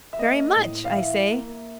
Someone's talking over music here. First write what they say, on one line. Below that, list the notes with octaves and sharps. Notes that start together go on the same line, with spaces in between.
"Very much," I say.
E5
A#3 D#5
A2
F5
E3 E5
A#3